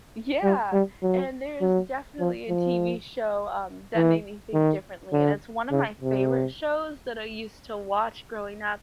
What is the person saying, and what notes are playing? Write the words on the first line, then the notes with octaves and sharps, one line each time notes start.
Yeah. And there's definitely a TV show, um, that made me think differently, and it's one of my favorite shows that I used to watch growing up.
G3
G3
F#3
F#3
F3
F3
E3
D#3
D3
C#3
C3